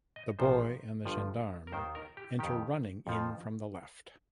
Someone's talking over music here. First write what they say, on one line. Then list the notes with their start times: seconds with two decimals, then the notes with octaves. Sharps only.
The boy and the gendarme enter running in from the left.
0.16 D#5
0.39 A#1 A#2 F3 C5
1.05 G1 G2 F3
1.67 A#4
1.72 D#2 D#3 C5
1.95 A#4
2.17 G4
2.39 F2 D#3 G4
3.07 F2 F3